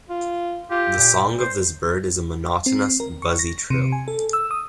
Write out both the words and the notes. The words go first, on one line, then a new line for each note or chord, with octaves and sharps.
The song of this bird is a monotonous buzzy trill.
F4
F4 G4
A#2
C5
C4
A#4
C#6
A#6
C3
G#5
A4
E6
D#6